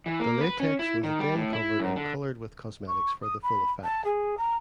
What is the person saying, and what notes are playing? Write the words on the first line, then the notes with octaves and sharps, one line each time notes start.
The latex was then covered and coloured with cosmetics for the full effect.
E3
A#3
B4
C#4
E4
D#3
G3
A2
E4
F#2
D3
C#6
D#6
B5
A5
G#4
A#5